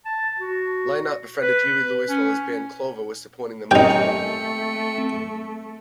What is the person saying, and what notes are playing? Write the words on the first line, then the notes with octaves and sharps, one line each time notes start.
Lynott befriended Huey Lewis while his band, Clover, was supporting them on tour.
A5
F#4
B4
C#4
D#3 A3 C4 C#4 D#4 G4 G5 C#7